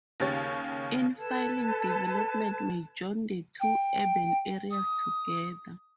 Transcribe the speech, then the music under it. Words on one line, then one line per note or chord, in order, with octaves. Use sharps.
Infilling development may join the two urban areas together.
D#2 C#3 G4 C#5 A6
A4 B4 A5 G#6
G5
D#6